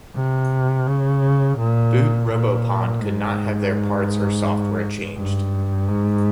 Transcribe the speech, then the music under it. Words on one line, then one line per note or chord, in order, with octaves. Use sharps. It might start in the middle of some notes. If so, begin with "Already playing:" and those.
Boot Robopon could not have their parts or software changed.
C3
C#3
A#2
A#2
G#2
G2
G#2